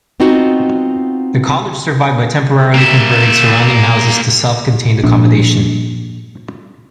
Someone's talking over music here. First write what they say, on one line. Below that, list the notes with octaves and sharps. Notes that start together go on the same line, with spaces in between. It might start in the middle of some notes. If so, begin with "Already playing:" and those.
The college survived by temporarily converting surrounding houses to self-contained accommodation.
B3 C4 D#4 F4 F#4
A#3 E5
A#2 F3 D4